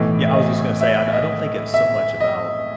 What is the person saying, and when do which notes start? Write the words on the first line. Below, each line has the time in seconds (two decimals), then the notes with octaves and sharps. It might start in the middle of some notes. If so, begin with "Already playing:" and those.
Yeah, I was just gonna say I I don't think it's so much about
Already playing: B1 A2 E3 D#5
0.24 E5
0.35 D#5
0.81 E5
1.13 D#5
1.74 E5
2.20 D#5